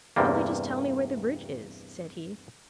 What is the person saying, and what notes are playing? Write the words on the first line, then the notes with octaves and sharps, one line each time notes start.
"Only just tell me where the bridge is," said he.
E2 G2 C3 G3 A#3